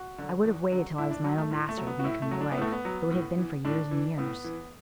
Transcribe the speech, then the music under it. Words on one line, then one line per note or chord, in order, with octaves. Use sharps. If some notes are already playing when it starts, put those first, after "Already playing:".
I would have waited till I was my own master to make her my wife, though it had been for years and years.
Already playing: F#4
D3 F#3
E2
D3 F#3
A2 E4
D4
F#3
A3
A2
A3
F#3
B3
F#4
A2 E4
A3
F#3
D4
B3
A2 A3
B3
F#3
A2
E3
A2 D4
E3
A2 B3
E3